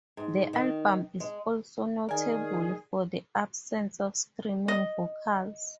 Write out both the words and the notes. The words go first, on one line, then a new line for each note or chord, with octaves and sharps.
The album is also notable for the absence of screaming vocals.
G#2
D#3
G#3
D#3 G#4 A#4 D5 G#5
D#5